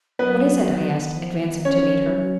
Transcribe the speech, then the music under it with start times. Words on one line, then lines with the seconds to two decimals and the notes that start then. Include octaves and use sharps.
"What is it?" I asked, advancing to meet her.
0.19 F#3 B3 B4
0.92 D#3
1.16 F3
1.40 D#3
1.64 F3 C#4 C#5
2.02 F#3